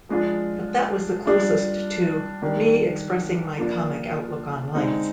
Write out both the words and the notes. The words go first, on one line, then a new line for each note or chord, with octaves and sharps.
But that was the closest to me expressing my comic outlook on life.
F3 G#3 D4 F4
G3 D4 F4
D#3 G3 D4
F3 A#3 D4 F4
D3 G#3 C4 D#4